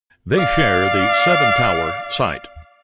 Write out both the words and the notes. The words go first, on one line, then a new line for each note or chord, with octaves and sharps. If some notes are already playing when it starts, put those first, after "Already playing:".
They share the seven-tower site.
D5 F5